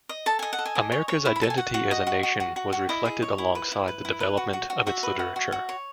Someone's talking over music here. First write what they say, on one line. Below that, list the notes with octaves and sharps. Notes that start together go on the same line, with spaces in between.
America's identity as a nation was reflected alongside the development of its literature.
D#5
A4 A5
D#5 G#5
F#5
A4
G#5
D#5
C#5
C#5
E4
B5
A4 A5
G#5
F#4 F#5
F#4
D#5
F#4
F#4
F#4
F#4
F#4
E4 D#5
G#4
C#5
E4
B4
E4
B4
E4
B4
F#4
F#4
F#4
F#4 E5
B4
F#4
F#4
F#4
C#5